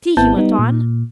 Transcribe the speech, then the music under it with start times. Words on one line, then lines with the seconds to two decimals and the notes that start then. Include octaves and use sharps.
"See!" he went on.
0.17 G#1 B3 C4 E4 A5 G6
0.37 G3 B3 D#4
0.59 A#2